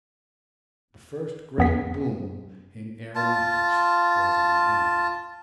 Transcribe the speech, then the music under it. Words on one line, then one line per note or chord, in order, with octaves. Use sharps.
The first great boom in aeronautics was beginning.
F2 B3 B6
F4 A5